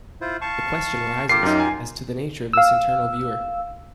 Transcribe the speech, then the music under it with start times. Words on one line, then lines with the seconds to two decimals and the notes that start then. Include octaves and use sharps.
The question arises as to the nature of this internal viewer.
0.21 E4 F4 C5
0.41 F5 A5 C#6
1.29 F4 G4 A#4 D6 C7
1.43 F#2 D#4
1.60 G#5
2.53 F5 E6